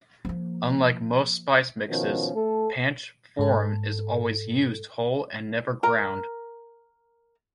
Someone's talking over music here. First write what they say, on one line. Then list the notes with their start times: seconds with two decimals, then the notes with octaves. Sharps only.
Unlike most spice mixes, panch phoron is always used whole and never ground.
0.25 F3 A#3
1.89 B2 D#3 F3 C#4
2.34 A3 A4
3.39 G#2 A4
5.83 A#4 A#5